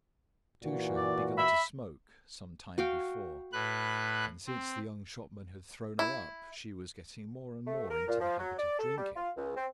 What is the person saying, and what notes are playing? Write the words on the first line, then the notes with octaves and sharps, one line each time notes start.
Katusha had begun to smoke some time before, and since the young shopman had thrown her up she was getting more and more into the habit of drinking.
A#2 E3 F#4
D5
E5 B5
F#4 F5 G5
A2 B4 F#6
C4
E4
A3
A#4
A#2
F3
F#3
D5
A4
G3
F4
C#2
C4